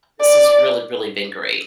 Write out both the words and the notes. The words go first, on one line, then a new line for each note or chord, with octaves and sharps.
this has really, really been great.
D5